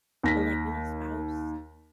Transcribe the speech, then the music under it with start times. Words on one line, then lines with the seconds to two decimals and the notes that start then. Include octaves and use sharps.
but, like, with a spouse,
0.23 D#2 A#6 B6